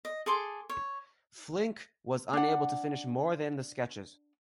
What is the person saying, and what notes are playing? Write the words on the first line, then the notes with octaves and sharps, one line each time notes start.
Flinck was unable to finish more than the sketches.
D#5
G#4 A4 C6 D6
C#5
D4 F#5